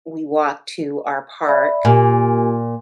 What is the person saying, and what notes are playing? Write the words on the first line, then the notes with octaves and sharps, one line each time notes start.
we walk to our park
D5 E5 B5
A#2 G4 A#4 G#5